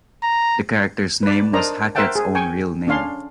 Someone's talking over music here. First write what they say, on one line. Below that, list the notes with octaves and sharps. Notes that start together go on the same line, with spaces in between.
The character's name was Hackett's own real name.
A#5
B4 D5
D4 A#4 C5 D5 D#5 A#5
A#4 C5 E5 F#5 G5 A5
G#4
G5 G#5 C#6
C#4 D4 C#5 F5 C6